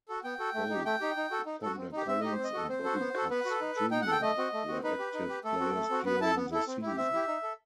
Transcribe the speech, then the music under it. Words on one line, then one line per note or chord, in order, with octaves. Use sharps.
Both Thunder Collins and Bobby Cutts Junior were active players during the season.
F#4 A4
B3 G5
F#4 A4
A3
D#4 G4
A3 G5
D#4 G4
D#4
F#4 A4
D#4
F#4 A4
C4
D#4 G4
C4 E5
D#4 G4 D#5
C5
C4
D#5
F#4 A4
C4 C5
F#4 A4
B3
F#4 A4
B3 B4
F#4 A4
D#4
A4
D#4 G5
F#5
A4 G5
A3 D#5
C4 F#4
A3
C4 F#4
D#4 B4
G4
D#4
G4
A3 A4
C4 F#4
A3
C4 F#4
B3 B4
E4 A4 A5
B3
E4 A4
C4
E4 G4
C4 E5
E4 G4
D#4
A4